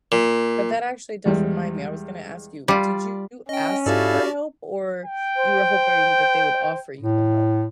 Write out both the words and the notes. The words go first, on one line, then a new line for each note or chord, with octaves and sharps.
But that actually does remind me, I was gonna ask you. Did you ask for help or you were hoping that they would offer you the help?
A#2
E2 G3 G#3
G3 F4 D5
C#4 D#5 G5
G#2 E4 F#4 G4 A4 D5 F5
G5
C5
A2